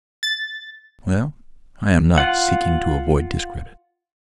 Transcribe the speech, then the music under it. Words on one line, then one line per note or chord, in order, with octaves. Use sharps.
Well, I am not seeking to avoid discredit.
A6
F4 F#5